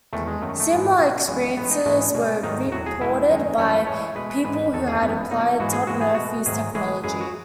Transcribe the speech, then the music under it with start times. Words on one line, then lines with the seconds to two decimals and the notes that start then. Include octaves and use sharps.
Similar experiences were reported by people who had applied Todd Murphy's technology.
0.13 E2 D#3 G#3 A3
0.27 G#3
0.42 F#2 D#3 F#3 A3
0.60 A3
0.70 G#2 E3 G#3
0.99 B2 F#3
1.27 F#2 E3 G#3
1.57 A2 E3 G#3 B3
1.71 D#4
1.86 G#2 E3 G#3 A3
2.14 B2 G#3
2.43 G#2 D#3 F#3 D#4
2.72 A2 F#3 F#4
2.86 G#4
3.00 B2 G#3 E4
3.29 F#2 D#3 G#3 D#4
3.58 F#2 E3 G#3 C#4
3.73 B4
3.87 A2 E3 G#3 C#5
4.16 B2 G#3 B4
4.30 B4
4.44 G#2 E3 G#3 B4
4.73 E2 D#3 F#3 A4
4.88 G#4
5.02 F#2 E3 G#3 B3
5.31 B2 F#3 D#4
5.59 G#2 E3 G#3 F#4
5.73 G#4
5.87 G#2 E3 G#3 F#4
6.01 G#4
6.14 B2 G#3 F#4
6.46 G#2 D#3 F#3 G#4
6.74 A2 E3 G#3 G#4
7.04 F#2 E3 G#3 G#4
7.21 F#4